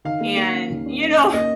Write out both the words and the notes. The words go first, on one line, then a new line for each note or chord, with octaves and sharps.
And, you know,
D#3 F5
A#3
A#3
C#4
D#2
C#4
C#4
C#4
A#3 D#5